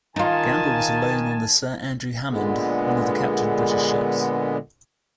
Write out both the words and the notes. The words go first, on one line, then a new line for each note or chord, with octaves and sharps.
Gamble was alone on the "Sir Andrew Hammond", one of the captured British ships.
D#3 D#4 F4 G#5 A5
A#2 D3 G#3 B3